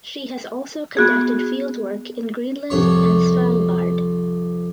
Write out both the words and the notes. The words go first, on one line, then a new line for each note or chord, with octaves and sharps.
She has also conducted fieldwork in Greenland and Svalbard.
B3 F#4 G#4
C2 F2 C#5 C#6